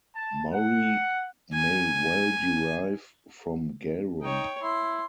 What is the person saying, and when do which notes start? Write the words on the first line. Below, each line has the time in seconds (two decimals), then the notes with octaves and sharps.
Murri may well derive from garum.
0.14 A5
0.53 F#5
1.54 G#5
4.22 D#4 C#5 G5
4.63 E4 C6